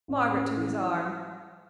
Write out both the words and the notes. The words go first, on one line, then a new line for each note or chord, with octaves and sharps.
Margaret took his arm.
A1
A1
E3